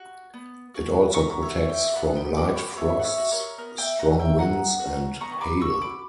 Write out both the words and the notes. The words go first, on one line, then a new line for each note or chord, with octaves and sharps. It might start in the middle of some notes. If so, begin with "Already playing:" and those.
It also protects from light frosts, strong winds and hail.
Already playing: F#4
B3
F#4
B3 A#5 C#6
C#5 E5
F#4
E5 G5
B3 F#5 A#5
G5 B5
F#4 B5 D6
C#6
G5 B5
B3 C#5 E5
F#5
C#5 E5
F#4
A#4 C#5
B3 A#4
E5 G5
F#4 F#5 A#5
E5 G5
B3 F#5 A#5
F#4
B3 A#5 C#6
B5 D6
F#4 C#6 E6
B5 D6